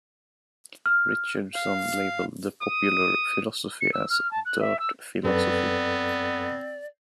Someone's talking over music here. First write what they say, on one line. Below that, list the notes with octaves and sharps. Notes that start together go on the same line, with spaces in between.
Richardson labeled the popular philosophy as "dirt philosophy".
F6
F5
D#6
C#7
E6
F6
A5
F#6
E5
E6
F#2 B3 C4 A4 B4 D5